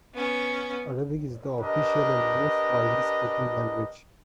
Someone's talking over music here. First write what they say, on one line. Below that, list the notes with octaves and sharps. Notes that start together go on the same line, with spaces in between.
Arabic is the official, and most widely spoken, language.
B3 C#4
D4 G4 A#4 B4 D#5